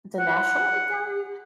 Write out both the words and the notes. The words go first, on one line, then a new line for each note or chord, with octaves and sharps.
the National Art Gallery?
F#5